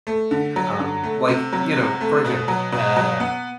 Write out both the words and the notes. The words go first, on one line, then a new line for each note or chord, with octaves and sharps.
Um, like, you know, for example, uh
A3
D3
F#3
D3
A3
C3
F#3
C3
A3
B2
F#3
B2
F#3
B3